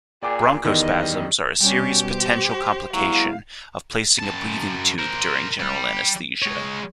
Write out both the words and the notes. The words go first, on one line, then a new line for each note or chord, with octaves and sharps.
Bronchospasms are a serious potential complication of placing a breathing tube during general anesthesia.
A#2 G#4 D5 G5 D6
E2 D#3 G3 D#5
B2 G3 C#4 G4
C5
F#3 G#3 B3 E4 F5
F#2 A5
A#4 C5
G3
G#3 C#5